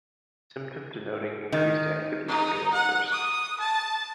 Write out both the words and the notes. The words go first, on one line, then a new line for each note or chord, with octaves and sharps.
Symptom denoting increased activity are given first.
D#3
D#4
F#5
D#6
A5